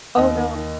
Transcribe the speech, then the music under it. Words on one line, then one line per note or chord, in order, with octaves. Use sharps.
Oh, no.
D#2 D#5
D#3
D#3